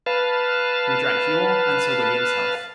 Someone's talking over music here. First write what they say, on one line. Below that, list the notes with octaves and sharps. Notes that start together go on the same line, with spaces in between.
We drank your and Sir William's health.
B4 F5 A5